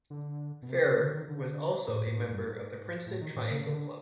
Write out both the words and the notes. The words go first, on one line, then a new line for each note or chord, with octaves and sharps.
Ferrer was also a member of the Princeton Triangle Club.
D3
B2
C3
C#3
D3
D#3
D3
A2
A2
G#2
G2
G#2
A2
D#3
A2
C#3
D3